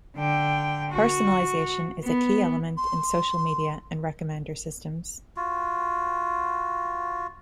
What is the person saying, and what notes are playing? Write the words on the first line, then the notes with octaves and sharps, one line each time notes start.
Personalization is a key element in social media and recommender systems.
D3 G5
F#4
B3
C6
F4 F#4